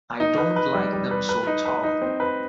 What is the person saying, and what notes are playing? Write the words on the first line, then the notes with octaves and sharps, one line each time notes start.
I don't like them so tall.
D#4
B4
B4
G3
G3
B4
B4
D#4
B4
D#4
C4
B4